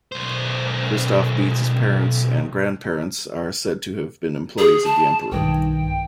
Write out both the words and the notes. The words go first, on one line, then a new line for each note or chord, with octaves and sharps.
Christoph Beetz' parents and grandparents are said to have been employees of the Emperor.
B1 C5
G#4
A5
B1 G2 D#3 G5